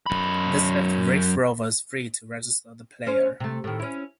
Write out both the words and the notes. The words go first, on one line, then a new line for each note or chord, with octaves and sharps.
This left Raith Rovers free to register the player.
F#2 B5
C#4 C5
C3 A3
A2 D#3
C#4 E4